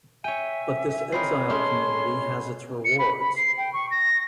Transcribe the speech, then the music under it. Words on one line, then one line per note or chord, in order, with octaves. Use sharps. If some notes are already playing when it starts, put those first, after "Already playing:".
But this exile community has its rewards.
C#5 E5 G5 G#5 D#7
C4 D#4 A#4 C#5 B5 C7
G#3 A3 C#4 C6
C#7
B5
B5
C7
G5
C#6
A#6